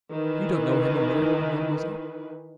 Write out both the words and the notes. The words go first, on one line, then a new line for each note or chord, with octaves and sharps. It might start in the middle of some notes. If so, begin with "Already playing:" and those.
"You don't know him in America, mademoiselle?"
D#3 E3 B4